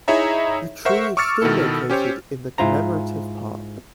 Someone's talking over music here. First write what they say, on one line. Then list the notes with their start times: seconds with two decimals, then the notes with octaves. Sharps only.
The tree is still located in the commemorative park.
0.08 D#4 E4 G#4 C#5 E5 A#5
0.85 A#4 C5 E5 F#5 C#6
1.17 C#6 D6 E6 F6 A6 C#7
1.42 B2 D#3 B3 E4 A4
1.90 C#4 G4 C5 C#5
2.58 G#2 E4 F4 C5 A#5